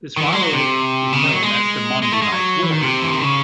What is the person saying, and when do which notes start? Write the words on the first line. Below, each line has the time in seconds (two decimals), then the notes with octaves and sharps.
This rivalry is known as the Monday Night Wars.
0.17 D#3
0.23 E3
0.32 G#3
0.43 F#3
0.53 C3
1.12 C#3
1.22 D#3
1.32 F#3
1.43 G#3
2.02 G#3
2.12 A3
2.22 G#3
2.32 F#3
2.63 E3
2.72 D#3
2.82 C3
3.02 E3
3.12 D#3
3.22 C#3